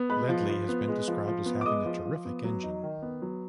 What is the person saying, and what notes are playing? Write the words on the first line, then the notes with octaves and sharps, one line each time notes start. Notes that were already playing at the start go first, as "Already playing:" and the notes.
Ledley has been described as having a terrific engine.
Already playing: B3
G#3 B4 B5
F3
F3
B3
G#3
F3
F3
B3
D6
G#3 D#5 D#6
F3
F3
B3
F#3
D#4
D#3
B3
F#3